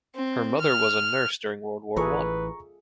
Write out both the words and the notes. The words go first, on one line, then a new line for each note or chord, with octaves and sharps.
Her mother was a nurse during World War One.
C4
F6
A1 E3 F4 G#4 A4 B4 A#5 C#6